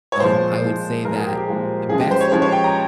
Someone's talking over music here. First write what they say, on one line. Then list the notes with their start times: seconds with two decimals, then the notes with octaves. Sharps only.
um, I would say that the best
0.12 C#5
0.20 A#2 F3 G#3 C5
0.62 A#2 F3 G#3
1.05 A#2 F3 G#3 A#4
1.16 G#4
1.26 G4
1.37 G4
1.47 A#2 F3 G#3
1.89 C#3 F3 G#3 G#4
2.00 G4
2.11 C5
2.21 C#5
2.31 C#3 F3 G#3 C#5
2.42 C#5
2.52 G5
2.64 A#5